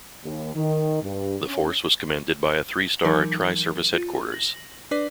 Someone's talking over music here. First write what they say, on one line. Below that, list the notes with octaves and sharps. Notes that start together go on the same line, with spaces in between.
The force was commanded by a three-star tri-service headquarters.
D#2
D#3
G2
C#4
E3 F#3 D#4 A#4
F4
A#6 F#7
D4 B4 D5 D6 B6